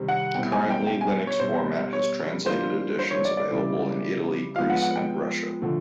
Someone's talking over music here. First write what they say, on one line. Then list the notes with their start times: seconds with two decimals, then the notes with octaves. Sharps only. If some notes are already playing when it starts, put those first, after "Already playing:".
Currently Linux Format has translated editions available in Italy, Greece and Russia.
Already playing: C3 D#3 G3 C4
0.08 F#5
0.35 B2 G3 C4 E4 G5
0.52 G#5
0.70 G5
0.87 G5
1.01 G#5
1.27 C#5
1.40 B2 G3 C4 C5
1.93 C#5
2.46 E3 G3 A#3 D4 F4 C5
2.99 C5
3.11 C#5
3.25 D5
3.37 D5
3.51 C#3 E3 G3 C4 E4
4.56 F3 G#3 B3 F5
4.70 F#5
4.82 F#5
4.96 G5
5.62 D3 F3 A3